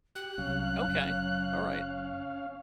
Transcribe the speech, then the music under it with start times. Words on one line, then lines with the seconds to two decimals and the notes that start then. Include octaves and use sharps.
Okay. Alright.
0.15 G4 F#6
0.38 C2 F#3 C#4 F5
0.86 F#1